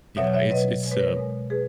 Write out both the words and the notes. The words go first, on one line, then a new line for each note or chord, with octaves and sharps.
Yeah, it's it's, uh
B2 F#3 C#5 E5
C#5 E5
B2 F#3 B4 D#5
B2 G#3 C#5
B4
A#4 C#5
B2 G#3
B2 G#4 B4